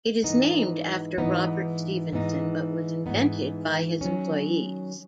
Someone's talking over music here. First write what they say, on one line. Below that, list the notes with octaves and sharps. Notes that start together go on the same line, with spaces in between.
It is named after Robert Stephenson but was invented by his employees.
G#2 E3 B3 D#4
G#2 E3 B3 D#4
G#2 E3 B3 D#4
G#2 E3 B3 D#4
D#3 F#3 C#4